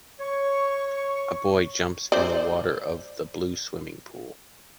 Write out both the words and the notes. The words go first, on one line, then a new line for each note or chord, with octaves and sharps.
A boy jumps in the water of the blue swimming pool.
C#5 C#6
C5 D5